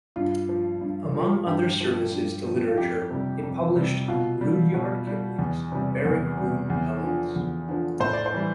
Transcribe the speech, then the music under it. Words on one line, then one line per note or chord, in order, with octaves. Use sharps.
Among other services to literature it published Rudyard Kipling's "Barrack-Room Ballads".
G2 F4
F3
G2
F3
G2 G4
F3
G2
F3
F4
F2 G4
C3 G3
F2
C3 G3
B2 F4
G3
B2
G3
E2
C3 G3
E2
C3 G3
E2
D3 F3
E2
D3 F3
A2 C5
D5
C5
E3 G3